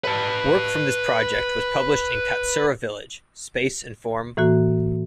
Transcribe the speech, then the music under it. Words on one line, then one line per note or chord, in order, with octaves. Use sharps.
Work from this project was published in "Katsura Villa: Space and Form".
B4 A5
A2 E3 A#3 F#4